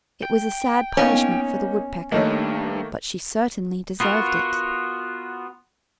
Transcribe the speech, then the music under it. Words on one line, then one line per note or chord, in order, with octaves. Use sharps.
It was a sad punishment for the Woodpecker, but she certainly deserved it.
G5
A#3 B3 C#4 D#4 C#5 F5
G2 D#3 A3 A#3 C#5 D#5
B3 F4 F#4 A#4